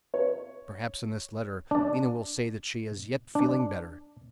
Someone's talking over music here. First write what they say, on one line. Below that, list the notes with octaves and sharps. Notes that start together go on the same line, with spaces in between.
Perhaps in this letter Lena will say that she is yet feeling better.
C#5
D4 D5
D4